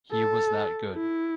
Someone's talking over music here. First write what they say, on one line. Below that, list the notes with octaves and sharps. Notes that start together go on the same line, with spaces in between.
He was that good.
A4
E4